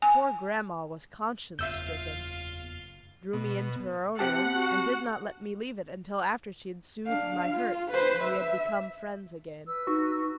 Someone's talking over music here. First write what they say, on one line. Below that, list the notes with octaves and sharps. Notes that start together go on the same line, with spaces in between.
Poor grandma was conscience-stricken, drew me into her own room, and did not let me leave it until after she had soothed my hurts and we had become friends again.
G#5
F#1 E2 F4 E5 F5 E6 G6
B2
C4 G4 F#5 A5
F#4
D4 F5
F4
B4 C5
E5
B4 E6
D#4 F#4